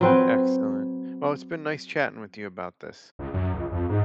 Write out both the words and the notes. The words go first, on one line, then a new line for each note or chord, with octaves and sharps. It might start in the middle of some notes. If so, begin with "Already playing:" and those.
Excellent. Well, it's been nice chatting with you about this.
F#3 C4 B4
C#2
F#2
C#2
F2
G#2